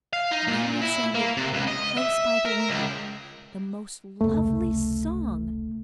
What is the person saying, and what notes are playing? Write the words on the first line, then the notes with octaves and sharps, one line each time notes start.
Then there sounded close by the window the most lovely song.
F5
D#4
A#2
E4
A#3
C3
C#2
D#5
E5
A#4
C#2
F1 C#2 A3